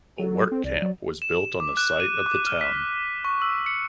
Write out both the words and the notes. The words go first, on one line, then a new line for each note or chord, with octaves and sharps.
A work camp was built on the site of the town.
F#3 A4
C4
C2 D5
F#3
E7
D6
F#6
D#7
D6
F6
B6
C#6
E6
C#7